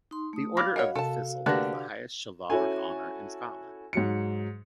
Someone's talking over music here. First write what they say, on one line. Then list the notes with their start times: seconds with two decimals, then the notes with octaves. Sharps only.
The Order of the Thistle is the highest chivalric honour in Scotland.
0.11 D#4 C6
0.33 A3 D#6
0.57 F#4 F5 B5 D6 F6 A#6
0.76 A#4 C#5 D#5 F#5
0.96 C3 A4 A5
1.46 D3 A3 A#3 D4 G4 B4 F#6 A#6
2.50 C#4 E4 F#4 A4 G#5
3.93 G#2 F#3 C#7